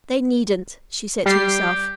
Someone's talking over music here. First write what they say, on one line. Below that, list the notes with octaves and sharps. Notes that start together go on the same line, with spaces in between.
"They needn't," she said to herself.
G3 G4 C7